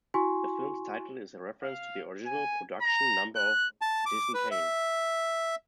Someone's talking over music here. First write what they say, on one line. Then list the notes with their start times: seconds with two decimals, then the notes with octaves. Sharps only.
The film's title is a reference to the original production number of "Citizen Kane".
0.14 E4 F#4 G#5 C6 C#6
1.63 F5
2.26 G#5
2.81 A#5
3.36 F#6
3.81 A5
4.06 D6
4.34 B4
4.51 E5